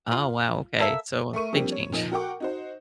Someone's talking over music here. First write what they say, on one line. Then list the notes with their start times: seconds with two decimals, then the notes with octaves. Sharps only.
Oh, wow, okay, so a big change.
0.12 F4
0.79 A#3 A4 E5
1.33 A3 A#4 C#6 D#7
1.53 F3 G3 A#3 C4 D4
1.72 C#5
1.92 A#2 F3 D#4
2.12 F#4 A#4 F#5 G5 C#6 D6
2.40 D#4 F#4 C5